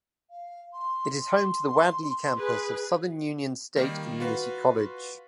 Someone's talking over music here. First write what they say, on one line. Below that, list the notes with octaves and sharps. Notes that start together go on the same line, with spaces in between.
It is home to the Wadley campus of Southern Union State Community College.
F5
C6
C6
G#4 B4
D#3 G3 A#3
F4 F#4 B4